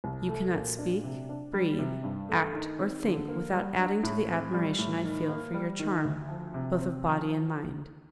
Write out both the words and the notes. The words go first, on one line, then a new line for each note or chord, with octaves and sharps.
You cannot speak, breathe, act, or think, without adding to the admiration I feel for your charm both of body and mind.
C2
A3
A#2
D4
C3
D4
G3
C3
G2
A3
D#3
C4
D3
A#3
G3
D4
A2
C4
G3
A2
D#3
A#3
G3
D#3
D2
F3
C3
C4
F3